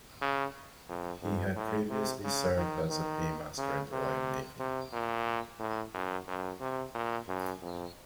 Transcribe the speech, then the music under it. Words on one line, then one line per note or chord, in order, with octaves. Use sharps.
He had previously served as a paymaster in the Royal Navy.
C#3
F2
F2
A2
C3
C#3
D#3
D#3
C#3
C3
C3
A#2
A2
F#2
F#2
C3
A#2
F#2
F2